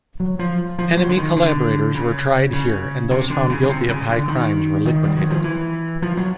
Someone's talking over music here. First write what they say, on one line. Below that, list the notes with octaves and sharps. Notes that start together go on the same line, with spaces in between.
Enemy collaborators were tried here and those found guilty of high crimes were liquidated.
F#3
F3
F3
F#3
D3
D#3
D3
C#3
C#3
C3
D3
C#3
C#3
C3
C#3
D3
D#3
D#3
G3
F#3
F3
E3
F3
F#3